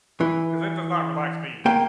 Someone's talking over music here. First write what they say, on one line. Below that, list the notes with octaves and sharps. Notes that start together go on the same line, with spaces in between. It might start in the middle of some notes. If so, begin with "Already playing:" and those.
'Cause it does not relax me.
E3
A#3 G5